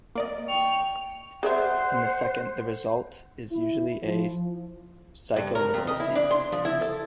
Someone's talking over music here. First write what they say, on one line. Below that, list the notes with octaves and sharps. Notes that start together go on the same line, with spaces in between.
In the second the result is usually a psychoneurosis.
A#3 D5 D#5
G5 C#6 F7
G#4 C5 D5 E5 F#5
E4
F3
G2
A#4
F2
D#5
E4
D4
C6
F3
E4
A4